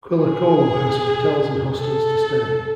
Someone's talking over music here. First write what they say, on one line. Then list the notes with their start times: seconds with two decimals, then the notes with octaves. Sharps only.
Quillacollo has hotels and hostels to stay.
0.17 G#4
1.78 A4